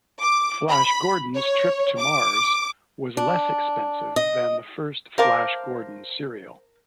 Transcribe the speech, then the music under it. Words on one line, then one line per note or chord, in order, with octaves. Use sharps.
"Flash Gordon's Trip to Mars" was less expensive than the first Flash Gordon serial.
D6
B5
C#5
D6
D4
D#5
A#4 C5 F5 A5 D6